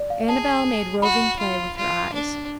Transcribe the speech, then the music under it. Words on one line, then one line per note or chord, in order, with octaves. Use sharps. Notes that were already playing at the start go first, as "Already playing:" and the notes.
Annabel made roving play with her eyes.
Already playing: D5
F5
G#4 A5
F#4 B5
F4
F4
D4